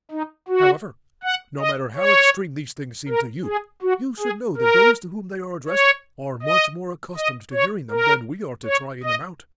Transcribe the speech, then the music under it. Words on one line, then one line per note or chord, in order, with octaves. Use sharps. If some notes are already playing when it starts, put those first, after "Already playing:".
However, no matter how extreme these things seem to you, you should know that those to whom they are addressed are much more accustomed to hearing them than we are to trying them out.
D#4
F#4
F#5
D#5
C#5
A#4
G#4
F#4
G#4
A#4
C#5
D#5
D#5
C#5
A#4
C#5
D#5